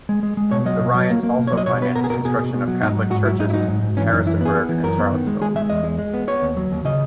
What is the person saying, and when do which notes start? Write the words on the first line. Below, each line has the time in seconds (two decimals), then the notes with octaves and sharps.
The Ryans also financed construction of Catholic churches in Harrisonburg and Charlottesville.
0.09 G#3
0.23 G#3
0.37 G#3
0.51 B2 C#5
0.65 F#3 D#5
0.80 B2
0.94 F#3
1.10 A#3
1.23 A#3
1.38 B2
1.47 C#5
1.52 F#3
1.57 D#5
1.66 B2 C#5
1.82 B3 B4
1.96 B2 A#4
2.04 G#4
2.10 B2 A#4
2.25 B2 G#4
2.39 B2
2.54 B2
2.68 F#3
2.82 G#2 D#4
2.97 F#3
3.10 G#2 F#4
3.25 F#3 E4
3.39 G#2 D#4
3.50 E4
3.54 F#3 D#4
3.68 G#2
3.82 G#2
3.97 E3 C#4
4.12 F#2 D#4
4.26 E3 E4
4.41 B3 G#4
4.55 B3
4.69 E3
4.84 F#2 A#4
4.98 B3
5.12 D#3
5.27 G#3
5.41 G#3 G#4
5.56 G#3 E5
5.70 E2 D#5
5.84 G#3
5.99 G#3
6.14 B3
6.28 B3 C#5
6.42 D#2
6.57 F#3
6.72 D#2
6.85 C#3 D#5